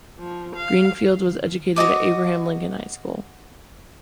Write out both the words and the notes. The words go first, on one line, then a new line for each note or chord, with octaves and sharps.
Greenfield was educated at Abraham Lincoln High School.
F3
F5
F#4 A4 D#5 D6